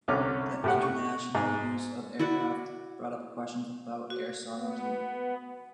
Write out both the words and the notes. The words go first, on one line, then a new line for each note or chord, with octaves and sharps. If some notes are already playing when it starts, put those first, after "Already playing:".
The international use of aircraft brought up questions about air sovereignty.
C2 D3 C#4 D6 F6
A2 G4 F#5
C#6
G#2
E4 F#4 D5 F#5
F#4
B3